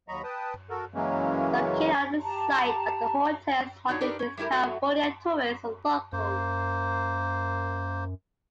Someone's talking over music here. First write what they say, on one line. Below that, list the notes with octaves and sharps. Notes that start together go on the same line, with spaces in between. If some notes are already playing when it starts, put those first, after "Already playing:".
Located on an site, the hotel's market is California tourists and locals.
D#2 F#3 D#5 A#5 B5 C#6
B4 G5 A5 D#6
F#4 A4 A#4
C#3 E3 F#3 G#3 A#3 C#4
G4 A5 A#5
A#2 D4 D#4 F#4 C#5
D4 D#4 G4 A#4 B4 D5
C#4
G3 A3 E4 G4 A#4
F#3 A3 F#4
F#2 A#3 C5